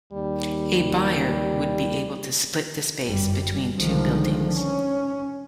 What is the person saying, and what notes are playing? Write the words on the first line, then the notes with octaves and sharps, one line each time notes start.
A buyer would be able to split the space between two buildings.
D#2 G3
G1 F#2 G3
C2 D3 D#3 F3 G#3
C#4